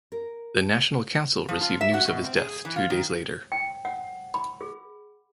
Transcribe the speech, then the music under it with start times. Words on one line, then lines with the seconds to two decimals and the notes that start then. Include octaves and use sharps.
The National Council received news of his death two days later.
0.12 A#4
1.49 F3
1.61 F4
1.81 E5
1.94 F#4
2.08 B2
2.24 C4
2.37 G#4
2.65 E3
2.76 F4
2.90 D#3
3.52 G5
3.85 F#5
4.34 B5
4.61 G#4